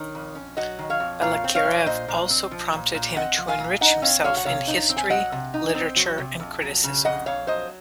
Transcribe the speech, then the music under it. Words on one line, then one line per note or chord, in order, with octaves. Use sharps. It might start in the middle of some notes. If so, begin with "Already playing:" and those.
Balakirev also prompted him to enrich himself in history, literature and criticism.
Already playing: D#3 C#5
F2
C#4
F#3 D#5 F#5
D#3
C#5 F5
F2
A#2 C#5 F5
C4
C#5 F5
F3
A#2 C5 D#5
A#2
C4
F3
A#2
A#2
C4 D#5 F#5
F3
F5 G#5
A#2
D#4 D#5 F#5
C4 C#5 F5
F#3 C#5 F5
F#5
C3 C#5 F5
D#4
C4
G#5
F#3 D#5 F#5
C3
D#4
C4
F#3
C3
F2
F#3
C#3
F2 D#5 F#5
F2 C#5 F5
F#3 C5 D#5